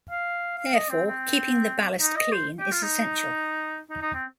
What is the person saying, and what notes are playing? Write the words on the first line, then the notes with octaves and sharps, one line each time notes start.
Therefore, keeping the ballast clean is essential.
F5
F5
D#5
C4
C4
D#4
D#5
C5
G4
F4
D#4
D#4
D#4
C4